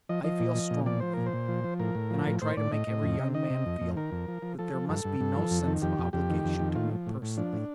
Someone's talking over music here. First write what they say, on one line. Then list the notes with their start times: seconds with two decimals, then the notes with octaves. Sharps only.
I feel strongly, and I try to make every young man feel, that there must be no sense of obligation to me personally.
0.09 F3 D#5
0.24 F3 D#5
0.40 A#2
0.55 F3
0.71 A#2
0.86 F3 D5
1.00 F3 C5
1.14 A#2 A#4
1.26 C5
1.33 A#2
1.48 F3
1.64 F3
1.80 A2 A#4
1.95 A2
2.11 F3
2.26 A2
2.42 A2 C5
2.57 A2 D5
2.72 A2 D#5
2.87 A2
3.03 F2
3.19 C3
3.34 D#3 D#5
3.50 C3
3.66 F2
3.81 F2
3.96 D#3 A#4
4.12 F2
4.28 F3
4.42 F3
4.59 F3 A4
4.74 F3
4.89 G2 A4
5.05 G2
5.20 G2
5.36 F3
5.51 F2
5.67 D#3
5.82 F2 G4
5.99 F2
6.13 F2 G4
6.30 D#3
6.44 F2
6.60 D#3
6.76 A2 F4
6.91 F3
7.07 A2
7.22 A2
7.37 F3 D4
7.53 A2